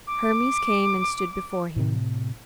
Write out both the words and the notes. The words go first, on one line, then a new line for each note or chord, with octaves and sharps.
Hermes came and stood before him.
D6
A2 C3